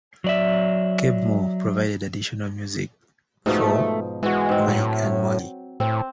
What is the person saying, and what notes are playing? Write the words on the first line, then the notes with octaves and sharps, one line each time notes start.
Keb' Mo' provided additional music for "Mike and Molly".
F#3 D5 E5
G#2 B2 F3 A3
E3 G#3 F#4
G#2 C4
A2 F#3
A2 C4